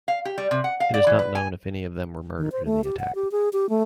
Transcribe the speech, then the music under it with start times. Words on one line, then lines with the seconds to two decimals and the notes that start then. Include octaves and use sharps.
It is not known if any of them were murdered in the attack.
0.08 F5
0.25 G4
0.38 G3
0.51 C3
0.64 F#5
0.80 F5
0.94 D5
1.07 E3
1.19 B4
1.35 G#5
2.37 D#3
2.52 C5
2.65 A3
2.84 G4
2.99 F#5
3.15 G4
3.32 G#4
3.53 G4
3.70 A3